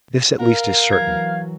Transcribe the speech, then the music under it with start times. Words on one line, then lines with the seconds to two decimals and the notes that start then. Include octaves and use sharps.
This at least is certain.
0.39 A#4 F5
0.93 E3 F#3 G#6